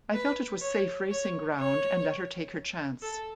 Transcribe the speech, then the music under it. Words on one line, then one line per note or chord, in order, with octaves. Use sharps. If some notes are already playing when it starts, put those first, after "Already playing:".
I felt it was safe racing ground and let her take her chance.
B4
C#5
C#5
C#5
A4